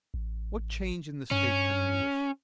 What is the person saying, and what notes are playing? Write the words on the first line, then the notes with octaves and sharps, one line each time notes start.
What change in the state can they wish?
A1
G2 C#4